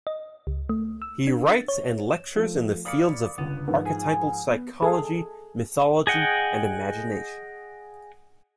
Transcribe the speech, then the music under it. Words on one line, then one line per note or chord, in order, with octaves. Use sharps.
He writes and lectures in the fields of archetypal psychology, mythology, and imagination.
D#5
C#2
A3
E6
D4
A6
C#5
E7
F3 A3
A#3 D5 B5 D#6 C#7
G1 C#2 B3
G#2 F3 B4
G#4
B3
G#4 A4
G#4 D#5 F#5 G5